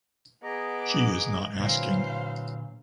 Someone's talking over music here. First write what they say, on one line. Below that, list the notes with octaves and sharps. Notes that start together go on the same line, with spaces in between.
She is not asking.
B3 G#4 D#5 A#5 D6
A#2 D3 E3 F#3 C5 F5